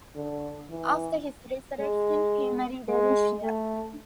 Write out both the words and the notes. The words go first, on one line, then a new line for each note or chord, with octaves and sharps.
After his resurrection, he married Aricia.
D3
E3
G#3
G#3
A3